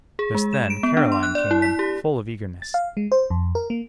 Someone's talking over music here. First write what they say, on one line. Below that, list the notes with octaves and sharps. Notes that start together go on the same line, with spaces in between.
And, just then, Caroline came in, full of eagerness.
G#4
G#3
E7
D7
B3
D4
C6
F#6
D5
E4
B6
G4
A6
F5
G#3
C5
F2
A#4
A#3